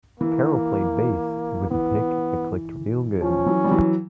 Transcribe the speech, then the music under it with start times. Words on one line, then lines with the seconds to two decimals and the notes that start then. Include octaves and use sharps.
Carol played bass with a pick that clicked real good.
0.20 E3 A#3
1.71 E3 B3
3.21 F3 C#4
3.46 E3 F#3
3.64 G3
3.71 E3 F#3